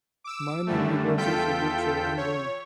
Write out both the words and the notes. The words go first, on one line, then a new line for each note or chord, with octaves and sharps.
Minor rehabilitation works are ongoing.
D6 E6
F#2 D3 G3 A3
E2 F4 A4 G5 G6 B6
C#5